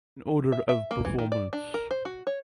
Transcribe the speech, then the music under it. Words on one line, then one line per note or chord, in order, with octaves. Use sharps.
In order of performance.
E5
E5
A#3
E3
D#3
D5
D4
A#4
C5
F#4
C#5